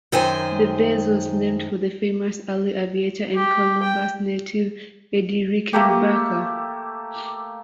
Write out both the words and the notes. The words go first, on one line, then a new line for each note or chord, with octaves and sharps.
The base was named for the famous early aviator and Columbus native Eddie Rickenbacker.
F#2 D#3 C5 G5 G#5
G4
G5
A3 A#3 G4